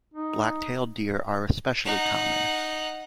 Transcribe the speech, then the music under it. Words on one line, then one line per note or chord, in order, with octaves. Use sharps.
Black-tailed deer are especially common.
D#4
D#4 F#5